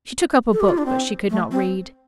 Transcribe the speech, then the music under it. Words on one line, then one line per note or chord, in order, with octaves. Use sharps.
She took up a book, but she could not read.
A4
G4
F4
D4
C4
A3
C4